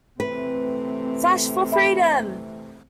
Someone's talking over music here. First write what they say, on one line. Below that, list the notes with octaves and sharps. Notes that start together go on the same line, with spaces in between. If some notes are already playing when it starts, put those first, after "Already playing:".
Flash For Freedom!
C3 E3 A3 C4 B4
E5 B5